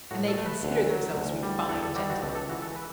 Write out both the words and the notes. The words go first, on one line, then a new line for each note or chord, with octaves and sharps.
And they consider themselves to be fine gentlemen!
A2 F#4
A4
A3
B4
D2
F#3
D2
G3
E2 A4
A4
G3 F#4
F#4
C#2 A4
A4
E3 F#4
A4
B4